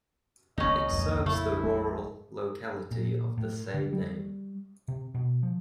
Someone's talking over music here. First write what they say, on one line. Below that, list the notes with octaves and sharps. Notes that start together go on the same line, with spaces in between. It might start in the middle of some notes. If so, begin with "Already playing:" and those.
It serves the rural locality of the same name.
C#2 D#3 B3 C#4 D#4 D#5
A#1 F2
C#3 A3 E4
G#3
A#2
A2
D3
G3
C3
B2
F3